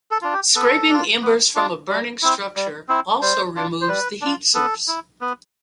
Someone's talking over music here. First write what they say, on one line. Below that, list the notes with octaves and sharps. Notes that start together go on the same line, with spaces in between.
Scraping embers from a burning structure also removes the heat source.
A4
D4 F4
G4
B3 A4
D4 F4
B3
D4 F4
G3
C4 E4
G3
C4 E4
G3 C5
D4 F4
C5
G3 B4
D4 F4
B3 A4
E4
B3